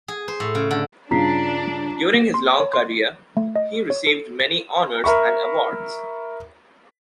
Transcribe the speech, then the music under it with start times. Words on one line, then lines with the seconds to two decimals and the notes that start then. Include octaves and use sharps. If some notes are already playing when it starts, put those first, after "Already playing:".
During his long career, he received many honours and awards.
0.08 G#4
0.28 C5
0.40 A2
0.55 C#3
0.71 D3
1.11 G2 C#3 D4 F4 A#5 B6 C7
2.14 A#3
2.34 C6
2.60 C#5
2.73 C6
3.37 A3
3.56 D#5
3.90 C#5
4.07 A4
4.40 A6
5.04 A#4 E5 B5 C#6